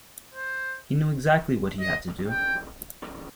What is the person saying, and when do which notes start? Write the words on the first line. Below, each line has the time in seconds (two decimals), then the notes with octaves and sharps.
He knew exactly what he had to do.
0.34 C5
1.80 D#5
2.28 G5